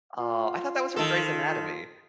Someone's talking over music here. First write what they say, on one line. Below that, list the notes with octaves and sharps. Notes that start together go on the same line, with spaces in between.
Oh, I thought that was from Grey's Anatomy.
F4
D#3 A4